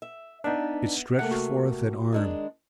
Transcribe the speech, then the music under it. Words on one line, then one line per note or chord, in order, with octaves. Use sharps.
It stretched forth an arm.
E5
B3 D4 D#4 E5
C3 A3 A#3 F#5
F#4
D#3 G#3 D4